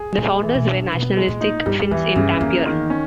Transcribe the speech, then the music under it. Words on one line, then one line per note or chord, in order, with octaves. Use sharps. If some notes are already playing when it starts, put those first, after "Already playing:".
The founders were nationalistic Finns in Tampere.
Already playing: G#4
A#2 G#3
E3
B2
G2
B2 B3
G#3
A#2
D#4
G2 G3
E2 E3
G2 C#3
E2 A#3
D#3
C#4